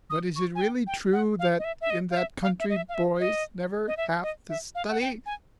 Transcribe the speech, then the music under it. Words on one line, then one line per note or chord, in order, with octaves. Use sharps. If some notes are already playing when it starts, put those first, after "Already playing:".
"But is it really true that in that country boys never have to study?"
D#6
C#6
G#5
G5
G5
F#5
F5
D#5
E5
E5
D#5
F5
E5
F5
E5
D#5
E5
F5
E5
D#5
D#5
E5
D#5
E5
F5
F#5
G5
G#5